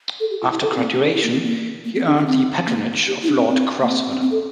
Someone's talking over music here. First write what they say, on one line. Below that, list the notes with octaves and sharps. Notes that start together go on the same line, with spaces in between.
After graduation, he earned the patronage of Lord Grosvenor.
A4
G4
F4
E4
A4
G4
C4
A#3
C4
D4
E4
A#3
C4
A#3
A#3
C4
D4
D4
C4
A#3
G4
E4
D4
C4
C4
A#3
C4
C4
C4
A4